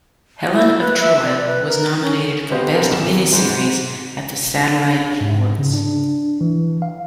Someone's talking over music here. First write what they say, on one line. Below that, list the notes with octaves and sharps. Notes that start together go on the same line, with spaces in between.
"Helen of Troy" was nominated for best miniseries at the Satellite Awards.
E4
B4
E5
D5
B4
A#4
C#4
B3 F#4 G4 C5 D#5 F5
B3 C4 D4 F#4 G4 A#4
D#1 B1 C3 E7
G#2 E3 F#4 C5
D4
G#2
C#3
D4
E3
F5